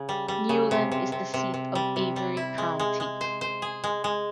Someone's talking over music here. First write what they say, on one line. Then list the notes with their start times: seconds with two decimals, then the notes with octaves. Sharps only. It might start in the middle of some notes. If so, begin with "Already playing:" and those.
Newland is the seat of Avery County.
Already playing: C#3
0.09 G3
0.28 G3
0.49 C#3
0.71 C3
0.92 C3
1.12 C3
1.34 C3
1.54 C3
1.75 G3
1.96 C3
2.16 G3
2.37 E4
2.58 G#3
2.79 G#3
3.00 G#3
3.21 C5
3.41 C5
3.62 G#4
3.84 G#3
4.04 G#3